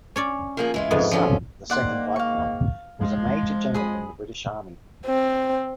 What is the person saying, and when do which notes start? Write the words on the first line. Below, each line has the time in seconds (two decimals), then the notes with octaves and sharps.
His son, the second Viscount, was a Major-General in the British Army.
0.16 C#4 C#5 D5
0.57 F3 A#3 G#4
0.74 E3 G#3 F4
0.91 F2 G#2 B3
1.11 D3 F3 F#3 C#4 F4
1.70 G#2 D#3 A#3 D5 F#5 C6
2.16 F5 C#6
3.01 F3 G#3
3.74 G#4 B5 D#6
5.07 C4